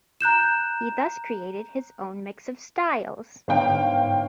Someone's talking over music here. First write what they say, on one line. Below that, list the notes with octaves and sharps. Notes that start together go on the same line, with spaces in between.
He thus created his own mix of styles.
A#5 F#6 G6 E7
G1 G#2 F5 G5